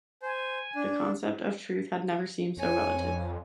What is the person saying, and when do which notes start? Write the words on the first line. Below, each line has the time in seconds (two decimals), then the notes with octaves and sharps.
The concept of truth had never seemed so relative.
0.22 C5 G#5
0.75 D4
2.57 F2 C#5 G#5